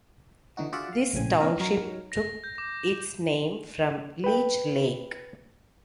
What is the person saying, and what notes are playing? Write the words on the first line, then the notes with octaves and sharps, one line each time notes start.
This township took its name from Leech Lake.
D3 E3 D#4 F#4
F4 F#4 G#4 D5 E5 F#5
F5
A#1 A2 C#3 C4 G#5
B3 C#4 D4 A#4
F#3 D#4 A#4 C#5
A#6
G6
D6
E7
B4 G5